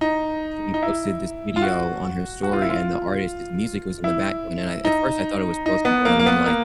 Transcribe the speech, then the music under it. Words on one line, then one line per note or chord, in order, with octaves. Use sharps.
she posted this video on her story and the artist's music was in the background, and I at first I thought it was Post Malone and I'm like,
D#4
D#4
E4
F4
F#4
F#4
F4
E4
F4
E4
D#4
D#4
B3
A#3
A#3
B3
A#3